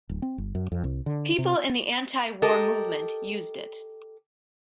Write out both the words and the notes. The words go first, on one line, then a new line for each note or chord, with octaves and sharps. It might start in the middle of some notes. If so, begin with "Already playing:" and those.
People in the anti-war movement used it.
D1
C4
G1
F#2
F2
C2
D3
C3
G4 A4 A#4 D#5